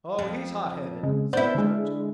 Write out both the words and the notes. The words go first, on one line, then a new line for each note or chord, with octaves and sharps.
"Oh, he's hot-headed," said the Judge.
F2
C#3 G#3
B3 D4 E4 C5 G6
D3 G#3